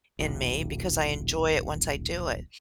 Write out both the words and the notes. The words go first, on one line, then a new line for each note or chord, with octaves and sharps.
in me, because I enjoy it once I do it.
D#1 B1